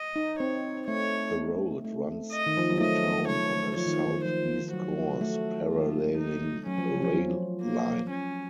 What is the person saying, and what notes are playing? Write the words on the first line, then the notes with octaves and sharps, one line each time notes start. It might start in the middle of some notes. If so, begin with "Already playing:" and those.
The road runs through town on a southeast course, paralleling a rail line.
Already playing: D#5
D#4
C4 C#5
A3 C#5
A3
D#5
D#3
F3
F#3
A3 D#5
C#5
F3 C#5
D#3
D#3
F3 C5
F#3 F#4
A3
F4
D#4
F#3 C#4
F3
F3
F#3
A#3
C#4